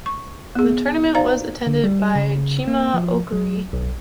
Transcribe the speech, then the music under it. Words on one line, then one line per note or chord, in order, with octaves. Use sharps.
The tournament was attended by Chima Okorie.
C#6
B3 G#4
D#4 C5 D5 F5 A#5
D3
G3
C#3
A#3
F3
F#3
B1